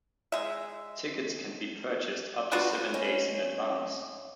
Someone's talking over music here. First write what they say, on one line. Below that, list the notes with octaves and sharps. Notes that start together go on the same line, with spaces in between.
Tickets can be purchased up to seven days in advance.
G#3 E5
D4 F4 F#4 B4
G#2 C#4 C#5 D#5